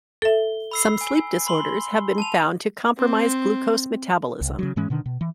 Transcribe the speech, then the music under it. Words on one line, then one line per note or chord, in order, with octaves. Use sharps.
Some sleep disorders have been found to compromise glucose metabolism.
A4 E5 G7
B5 E6 C7
G#5
B5 C6 G7
A5 D#7 F7
C4
C2
C#3 F#3
G#2 E3 G#3 C#4
B2 D3 D#3 D4
B2
E3